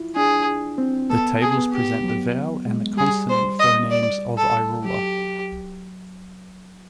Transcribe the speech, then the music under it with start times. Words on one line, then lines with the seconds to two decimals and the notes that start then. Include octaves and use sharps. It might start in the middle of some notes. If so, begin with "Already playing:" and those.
The tables present the vowel and the consonant phonemes of Irula.
Already playing: E4 F4
0.16 D4 G#4
0.78 C4
1.10 B3 A4
1.42 G#4
1.57 B3
1.72 G4
2.04 F#3
2.67 G#3
2.97 G3 G#4
3.29 C5
3.59 D#5
3.90 D5
4.38 A4
4.84 F#3 G4